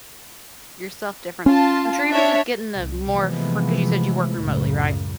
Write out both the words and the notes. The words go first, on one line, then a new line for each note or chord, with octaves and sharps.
yourself difference. I'm sure even just getting the more fri 'cause you said you work remotely, right?
C#4 F4 A5
D4 C#5 E5
C2
C3 E3 F3 G#3 A3 B3
C#2 F#2 A2 C#3